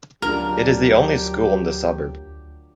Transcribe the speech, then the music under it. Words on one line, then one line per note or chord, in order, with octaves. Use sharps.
It is the only school in the suburb.
D2 F#3 D4 F4 G4 A#4